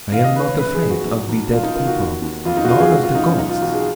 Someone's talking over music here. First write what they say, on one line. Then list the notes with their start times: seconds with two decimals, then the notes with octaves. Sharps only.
I am not afraid of the dead people, nor of the ghosts.
0.12 D#2 F5
0.24 D#5
0.36 D#2 B4
0.47 C#5
0.59 F#2 B4
0.74 G#4
0.83 F3
0.90 F#4
1.05 B1
1.29 B1
1.52 D#3 F4
1.63 D#4
1.75 D#3 F4
1.87 F#4
1.99 D#2
2.22 D#2
2.45 F2 F4
2.57 D#4
2.64 F#4
2.68 C#3 F4
2.80 G#4
2.91 G#1 F#4
3.03 F4
3.15 F#2 D#4
3.26 C#4
3.38 B1 D#4
3.49 F4
3.62 B1 F#4
3.74 G#4